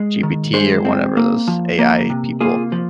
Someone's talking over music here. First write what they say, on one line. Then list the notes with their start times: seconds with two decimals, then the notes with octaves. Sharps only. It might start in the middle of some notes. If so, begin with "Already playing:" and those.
ChatGPT or whatever, those AI people
Already playing: G#3
0.23 D#3
0.54 G#3 G#4 C5
0.85 C4
1.17 A#3
1.48 F3
1.79 A#3
2.10 C3
2.40 A#3 F4 G#4
2.72 F3